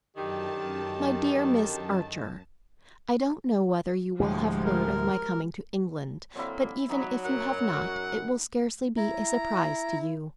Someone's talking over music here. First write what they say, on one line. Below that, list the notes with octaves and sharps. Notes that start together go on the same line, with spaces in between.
MY DEAR MISS ARCHER--I don't know whether you will have heard of my coming to England, but even if you have not it will scarcely be a surprise to you.
F#2 D3 D#3 G4 A5
D2 A2 C3 F3 G3 G#3
A#4
D3 F#3 A#3 C4 E4
F#3 D#4 D5 B5
F#2 F#5
E4 A#5